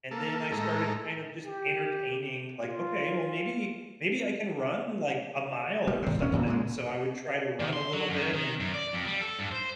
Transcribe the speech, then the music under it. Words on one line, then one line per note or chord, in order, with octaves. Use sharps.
And then I started kind of just entertaining, like, "Okay, well, maybe maybe I can run, like, a mile or something." So, I would try to run a little bit, and
A#3 A4
A2 G#3 A4 A#5
G4
F4
G3
G#1 C3
E1 C3 C#4
D#1 A#2 C#3
A#2 C#3 E3 G#3
D#3
C6
F#3
F#2
D#3
F#2
D5
F2
G3
A4
G2
C5